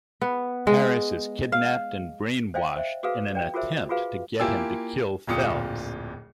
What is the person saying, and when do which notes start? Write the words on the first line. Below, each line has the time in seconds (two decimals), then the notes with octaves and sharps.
Paris is kidnapped and brainwashed in an attempt to get him to kill Phelps.
0.21 B3
0.67 G#3
1.52 F5
2.54 C5 D5 D#5 F5 G5
2.76 C5 E5
3.03 F#4 G#4 A4 B4 F5
3.35 D5 G5
3.54 F4 F#4 G#4 A#4 C5 E5
3.89 F4 F#4 G#4 B4 F5
4.39 A#3 E4 F4 G4 G#5 E6
5.27 D1 F2 A#2 F4 D#6 C#7